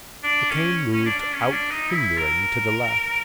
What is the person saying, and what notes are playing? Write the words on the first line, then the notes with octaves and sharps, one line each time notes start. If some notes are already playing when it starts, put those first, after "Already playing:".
The cane moved out trembling to the left.
D4
C#4
C#4
D4
D4
C#4
D4
D#4
E4
A#4